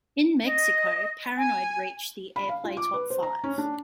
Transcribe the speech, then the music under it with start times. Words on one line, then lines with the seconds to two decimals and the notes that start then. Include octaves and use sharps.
In Mexico, "...Paranoid" reached the airplay top five.
0.45 D#5
1.36 G#5
2.36 B5
2.49 F5
2.65 F4
2.77 D6
2.94 B4
3.10 C5
3.23 A#5
3.44 C#4
3.58 D4